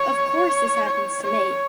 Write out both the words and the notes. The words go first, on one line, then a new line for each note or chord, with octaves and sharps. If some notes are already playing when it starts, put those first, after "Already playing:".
"Of course, this happens to me."
Already playing: C#5
C#5
C#5